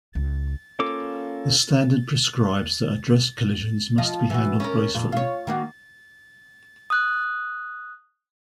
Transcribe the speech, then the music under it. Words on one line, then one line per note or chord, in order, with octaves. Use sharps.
The standard prescribes that address collisions must be handled gracefully.
C#2
A#3 C#4 F4 A4 D6
F3 D#5
E3 F#4
C#4 A#4
F2 A#2
F4 C#5
D#3 A#3 F#4
D#6 F#6